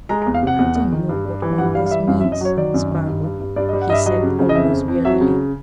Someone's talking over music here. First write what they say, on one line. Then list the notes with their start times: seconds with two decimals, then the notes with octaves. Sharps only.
"I don't know what all this means, Spargo," he said, almost wearily.
0.09 G#3 A#5
0.22 A#5
0.27 E2
0.34 F5
0.43 C3 F#5
0.59 E2
0.75 E2
0.92 D#3
1.09 G2
1.25 G3
1.42 E3
1.58 G2 F#5
1.75 G3 F5
1.86 F5
1.91 E3 E5
2.08 F#2 F5
2.20 E5
2.24 F#2
2.32 D#5
2.41 F#3 C#5
2.57 D#3 D5
2.74 F#2
2.91 D#3
3.07 G2
3.24 G2
3.40 G2
3.56 G2 D5
3.69 D#5
3.73 G3
3.81 F#5
3.89 G2 D#5
3.93 E5
4.06 F#3 D#5
4.23 C#3
4.39 C#3
4.49 D#5
4.55 F2 E5
4.72 F2
4.88 F2
5.05 F#3 E5
5.21 C#3